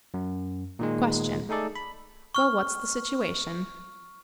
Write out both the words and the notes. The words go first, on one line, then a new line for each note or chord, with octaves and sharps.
Question.--Well--what's the situation?
F#2
A#2 D#3 G#3
A3 D#4 G#4 A4 D5
B5
C#6 F6